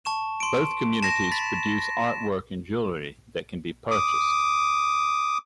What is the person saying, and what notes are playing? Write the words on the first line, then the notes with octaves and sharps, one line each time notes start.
Both communities produce artwork and jewellery that can be purchased.
A5 C#6 E7
C6 D7
A5 A#6 E7
B5 A6 B6
D6 D#6